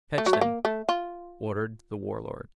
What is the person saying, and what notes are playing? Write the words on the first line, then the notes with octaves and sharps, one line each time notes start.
"Fetch them," ordered The Warlord.
A3
F#3
A3
A#3
A3
F4